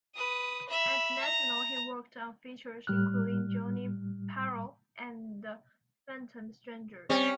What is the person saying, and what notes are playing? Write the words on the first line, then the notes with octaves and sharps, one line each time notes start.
At National, he worked on features including "Johnny Peril" and "The Phantom Stranger".
B4 D#6
E5 B5
A#5
A2 G3 F6 F#6
G3 C4 C#4